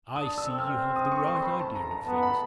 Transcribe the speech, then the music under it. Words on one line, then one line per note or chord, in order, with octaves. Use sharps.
I see you have the right idea of things.
D4 D#6
E6
C4
F6
D#6
C#6
C6
B5
A5
A#5
A#5
B3 A5
B5